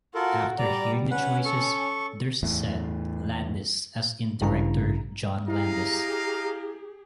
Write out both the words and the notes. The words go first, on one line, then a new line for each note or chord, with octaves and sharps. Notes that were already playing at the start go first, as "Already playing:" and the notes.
After hearing the choices, Durst said "Landis," as in director John Landis.
F4 F#4 A4 A#4
G3 D5 A#5
C#4 B4 F#5
A4 C#6
E2 A2
A1 G2 C#3 E4 A#5
E4 G4 G#4 D#5 F5 A#5